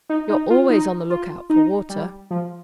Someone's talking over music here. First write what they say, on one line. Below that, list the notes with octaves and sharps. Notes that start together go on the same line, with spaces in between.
"You're always on the lookout for water."
D#4
D#4
F4
D#4
F4
D#4
G3
F3